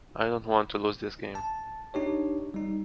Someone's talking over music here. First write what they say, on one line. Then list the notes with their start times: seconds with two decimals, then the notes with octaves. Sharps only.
I don't want to lose this game.
1.35 A5
1.94 D4 D#4 G4 C#5
2.54 G3 D#4